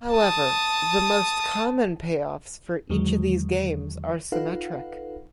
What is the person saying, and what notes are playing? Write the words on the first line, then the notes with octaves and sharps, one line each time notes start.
However, the most common payoffs for each of these games are symmetric.
A5 D#6
E2 D3 D#3 F#3 G#3
D#4 F4 A4 B4 F5 F#5